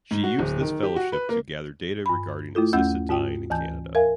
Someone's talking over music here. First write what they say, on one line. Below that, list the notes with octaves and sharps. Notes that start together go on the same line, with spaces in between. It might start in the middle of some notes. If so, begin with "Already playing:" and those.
She used this fellowship to gather data regarding assisted dying in Canada.
G#2
F#4
D1
D#3
G4
F#4
B4
A#3
G2 B5
A3 E4 F4 A4
D#2 A3 C#4 F#5 E6 G6
G#2 F4 G5
D2 E3 G#5 A5 G6
A#4 E5 F5 G#5